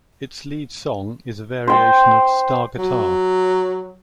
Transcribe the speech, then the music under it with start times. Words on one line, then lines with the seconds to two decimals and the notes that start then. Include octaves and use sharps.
Its lead song is a variation of "Star Guitar".
1.68 C5 G5
2.78 F#3